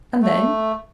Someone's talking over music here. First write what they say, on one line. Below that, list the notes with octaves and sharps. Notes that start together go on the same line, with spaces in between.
"And then?"
A3